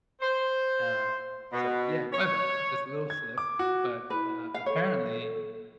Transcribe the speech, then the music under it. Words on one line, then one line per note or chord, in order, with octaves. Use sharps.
Um, so, yeah, my bad, just a little slip, but, uh, apparently,
C5
B2
C#5
G#6
D6
F#4
E4 B4
F5
A4 C#5